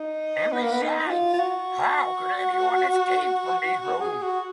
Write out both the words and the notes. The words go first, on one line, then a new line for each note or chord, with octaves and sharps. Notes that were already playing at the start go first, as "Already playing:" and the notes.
And besides, how could anyone escape from these rooms?
Already playing: D#4
B3
A#3
B3
D#4
F#4
F4
F4
F#4
G#4
F#4